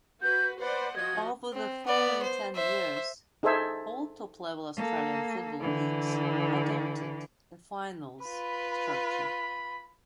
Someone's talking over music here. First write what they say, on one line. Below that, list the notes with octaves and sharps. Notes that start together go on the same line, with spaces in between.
Over the following ten years, all top-level Australian football leagues adopted a finals structure.
F#4 B4 G6
B4 C5 D5 F#5
F3 F#4 D#5 G#6
C4
B3 D5
C5
C5 E5
D#4 G#4 A4 C5 E5 G#5
A#3 A4
D3 E3
F4 B4 B5